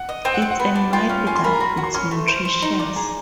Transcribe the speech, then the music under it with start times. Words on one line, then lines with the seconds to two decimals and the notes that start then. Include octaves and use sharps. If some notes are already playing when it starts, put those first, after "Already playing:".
It's a myth that it's nutritious.
Already playing: F#5
0.09 D#5
0.25 C4 G5
0.34 F#5
0.42 C4
0.51 F#5
0.60 B3
0.76 D4
0.93 F4 G5
1.09 C#4
1.27 F4 G#5
1.36 C6
1.44 A#4 B5
1.53 A#5
1.61 F#4 B5
1.77 F#4
1.83 C6
1.94 C#4 C6
2.11 A3
2.28 C5
2.45 C5
2.62 D#4
2.79 D5
2.96 G#4 A#5